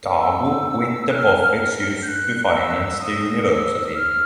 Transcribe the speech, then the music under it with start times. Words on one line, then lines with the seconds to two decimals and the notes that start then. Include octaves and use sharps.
Dago with the profits used to finance the university.
0.21 E6
0.68 E6
1.10 F#6
1.15 F6
2.03 G6
2.08 F#6
2.55 E6
3.01 D#6
3.49 E6
3.95 F6